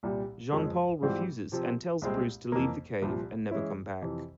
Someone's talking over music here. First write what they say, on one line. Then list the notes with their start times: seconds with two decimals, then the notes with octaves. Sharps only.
Jean-Paul refuses and tells Bruce to leave the cave and never come back.
0.03 C2 A#2 G3
0.52 F2 C#3 F3 G#3
1.02 G#2 E3 G3 C4 F4
1.52 C3 F3 C4
2.02 C2 A#2 G#3 C4
2.52 F2 E3 A#3
3.02 C2 A#2 F3
3.51 E3 G#3 C#4 E4
4.02 F2 C3 E3